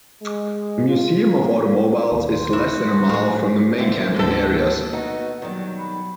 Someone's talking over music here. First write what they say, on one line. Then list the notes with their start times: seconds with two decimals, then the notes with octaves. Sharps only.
The Museum of Automobiles is less than a mile from the main camping areas.
0.21 G#3
0.87 F4
1.40 A#3
2.12 E1 D#2 C5
2.53 E4 F#4
3.09 A2 F#3 G#3 A3
3.78 D3 C4 E4 F5
4.14 D2 G#2 B2 A#3 A4
4.93 B3 D#4 F#4
5.42 D#3 F#3 G3
5.79 B5